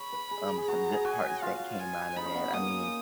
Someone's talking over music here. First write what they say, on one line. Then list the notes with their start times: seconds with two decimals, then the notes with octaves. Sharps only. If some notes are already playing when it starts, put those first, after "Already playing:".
um, some good parts that came out of that. I mean,
Already playing: C#5 B5
0.13 B4
0.31 G#4
0.58 G#4
0.68 F#4 A#5
0.93 G#4
1.05 F#4 G#5
1.42 F4 F5
1.79 G#5
2.16 D#4 B5
2.25 C#4
2.35 B3
2.53 A#3 D#6